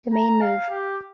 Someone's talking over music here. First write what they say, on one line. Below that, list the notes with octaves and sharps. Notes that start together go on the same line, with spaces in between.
The main move.
A#5
F5
G4